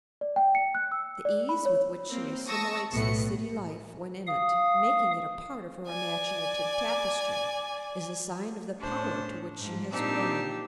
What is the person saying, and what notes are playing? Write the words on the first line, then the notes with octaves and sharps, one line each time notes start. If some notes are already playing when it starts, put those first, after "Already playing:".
The ease with which she assimilates the city life when in it, making it a part of her imaginative tapestry, is a sign of the power to which she has grown.
D5
G5
C#7
F#6
E6
D5
B5
C#5
A#3 C4
A5 C#6 D#6 E6 A#6
B1 A2 A3 B3 C#7
F5 D#6
D5 G#5
A2 C#4 D4 C5
G#2 F3
A#2 C4 D4 D#4 G4 E6